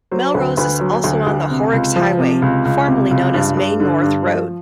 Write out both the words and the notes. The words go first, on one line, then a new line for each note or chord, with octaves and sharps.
Melrose is also on the Horrocks Highway, formerly known as Main North Road.
F#3 C5
D2 B4
D2 B4
F#3
D2
D2
C3
C#2
F3
C3
C#2
C#2
C3
C#2
G2
G2
D3
G2
F3